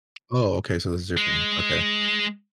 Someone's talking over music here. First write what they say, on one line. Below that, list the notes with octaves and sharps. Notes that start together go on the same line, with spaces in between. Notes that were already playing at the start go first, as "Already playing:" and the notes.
Oh, okay. So this is different. Okay.
G#3